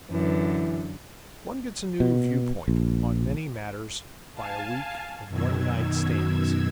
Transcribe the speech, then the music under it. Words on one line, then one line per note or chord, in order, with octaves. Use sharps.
One gets a new viewpoint on many matters by a week of one-night stands.
F#2 D3 E3
B2
A#1
F5 G#5 A5
F#2 B2 D#3 E6 G#6